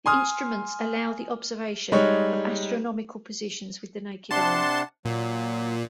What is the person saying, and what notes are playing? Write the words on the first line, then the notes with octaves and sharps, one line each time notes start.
The instruments allow the observation of astronomical positions with the naked eye.
G#5 C6 D#6 F6
G3 G#3 D#4 C#5
C3 D4 F#5 A5 C6
A#2 F#3